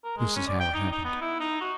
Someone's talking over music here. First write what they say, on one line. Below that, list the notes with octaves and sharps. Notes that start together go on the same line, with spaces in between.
This is how it happened.
A#4
G#3
C#4
D5
G5
D#4
D#4
B3
E4
D#4
F#4